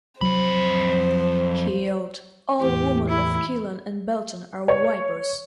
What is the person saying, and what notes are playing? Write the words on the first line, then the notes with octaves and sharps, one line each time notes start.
He yelled, All women of Killeen and Belton are vipers!
C2 F2 F#3 C5 B5
E2 A2 E3 G4
E4
C#5